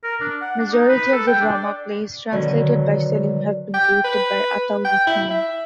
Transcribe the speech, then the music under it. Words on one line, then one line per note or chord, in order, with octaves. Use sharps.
Majority of the drama plays translated by Selim have been directed by Ataur Rahman.
A#4
D4
F#5
D4
D#4
B4
A4
G5
D4
D5
B2 D3 D#3 F#3
G5
B4
G5
E4
E5